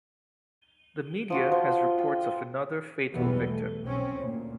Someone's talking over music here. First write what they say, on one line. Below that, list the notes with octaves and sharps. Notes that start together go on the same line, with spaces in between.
The media has reports of another fatal victim.
F3 F4 F#4
F3
G5
B1 E2 E3 G3 B3
A3
B1 C4 C#4
D2 A#2